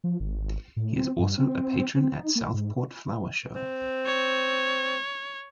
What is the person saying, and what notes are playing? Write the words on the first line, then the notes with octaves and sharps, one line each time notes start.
He is also a patron at Southport Flower Show.
F3
G#1
A2
C4
G2
C4
C4
D#4
A#3
G#2
C4
C#5